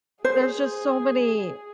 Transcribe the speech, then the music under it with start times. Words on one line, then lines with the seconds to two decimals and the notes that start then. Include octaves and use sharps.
there's just so many
0.24 G#4 C5